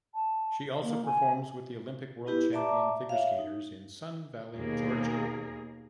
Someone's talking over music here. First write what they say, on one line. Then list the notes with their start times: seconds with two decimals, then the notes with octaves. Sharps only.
She also performs with the Olympic World Champion figure skaters in Sun Valley, Georgia.
0.14 A5
0.83 A#3
1.06 G#5
2.27 B3 E4 G4 B4
2.53 D5 E5 A5 A#5 D6
3.09 C#5 E5 F5
3.39 D#4
4.55 D#2 B2 A#3 G#4 A#4